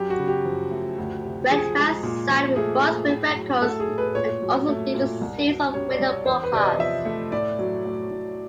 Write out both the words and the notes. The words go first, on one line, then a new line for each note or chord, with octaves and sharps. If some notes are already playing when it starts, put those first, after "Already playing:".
Redman signed with Brunswick Records and also did a series of radio broadcasts.
Already playing: F#2 G4
F#4
C#3
G4
F3
A3
D2
C3
F3 G#4
G#3
A#2
F3
A3 G#4
A#2
A2
F#3
A3 A4
G#4
A2
B4
A#2 C#5
F#3
A3
A#2
C2
B2
G3 C#5
D5
C2
C#5
E2 C5
B4
C3 D5
D#5
F3 E5
A3
A2 D5
F#3
A3
A2